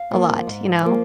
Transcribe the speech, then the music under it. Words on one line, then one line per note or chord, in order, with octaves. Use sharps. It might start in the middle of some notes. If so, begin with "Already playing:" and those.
a lot, you know?
Already playing: F5
F3 A#3
G#2
F3 A#3